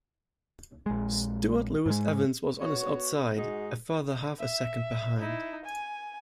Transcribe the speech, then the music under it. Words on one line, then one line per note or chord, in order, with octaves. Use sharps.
Stuart Lewis-Evans was on his outside, a further half-a-second behind.
A#1 G#3
G#2 G#3
B3 F#4 C#5
G#2 G#3 D#4 F#4 G#4
E5
D#4 E4
G#5